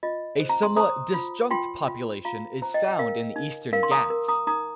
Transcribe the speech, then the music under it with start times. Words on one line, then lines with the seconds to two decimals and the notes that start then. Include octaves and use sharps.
A somewhat disjunct population is found in the Eastern Ghats.
0.03 F4 D#5
0.40 C5
0.49 A#5
0.63 C6
0.76 C5 A#5 D#6
1.14 F4
1.51 F4 G5 C6
1.88 F4
2.25 F4 F5 A#5
2.62 C5 A#5
2.74 D#5 G5
2.88 G5
2.99 A#4 F5
3.36 D#4
3.73 A#4 F5
3.83 C6
3.91 A#5 D#6
4.10 A#4
4.28 A#5 D#6
4.47 D#4 A#5 D#6